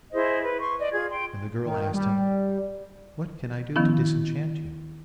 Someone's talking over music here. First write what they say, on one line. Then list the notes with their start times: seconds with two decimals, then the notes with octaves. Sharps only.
And the girl asked him, 'What can I do to disenchant you?'
0.12 E4 G#4 C5 D#5
0.43 B4
0.60 C6 C#6
0.79 D5 D#5
0.92 F4 G#4 G#6
1.10 G5 C6
1.65 D#3
1.94 G3
3.76 D#3 F3 B3 C#4 E4